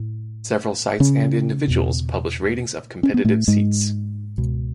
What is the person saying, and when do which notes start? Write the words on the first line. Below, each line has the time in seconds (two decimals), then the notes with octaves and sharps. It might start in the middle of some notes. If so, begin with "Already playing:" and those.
Several sites and individuals publish ratings of competitive seats.
Already playing: A2
1.00 C#3 C#4
1.68 E2 B2
3.03 C#4
3.14 B3
3.25 A2 A3
3.48 G#2 G#3
4.38 C#2 B2